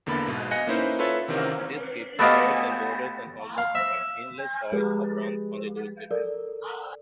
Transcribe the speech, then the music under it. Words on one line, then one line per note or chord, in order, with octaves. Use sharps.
This gives skiers and boarders an almost endless choice of runs on their doorstep.
E2 D3 A#3 B3 B5 A6
G#2 B2
D#5 F5 G#5 F#6 A#6 C#7
A#3 C#4 D#4 E4 B4 C5
F4 A4 B4 C#5 E5
C3 D#3 E3 C4 C#4 A#4
A3 B3 F#4 G4 D#5 F5
F5
E5
F3 G#3 G4 G#4 B4
A4 A#4 D5